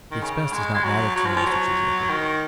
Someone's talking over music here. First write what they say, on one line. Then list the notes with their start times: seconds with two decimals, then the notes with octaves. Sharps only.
"The expense does not matter to you, Mr. Cheesacre."
0.11 D#3
0.22 C#3
0.53 G#3
0.74 G#3
0.84 F#3
1.16 F#3
1.26 F3
1.36 F3
1.47 F#3
2.09 D#3